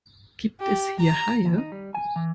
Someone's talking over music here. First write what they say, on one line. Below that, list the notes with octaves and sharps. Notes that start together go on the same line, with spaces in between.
Gibt es hier Haie?
G4
A#5
D#2
D#4
G3
G#5
E3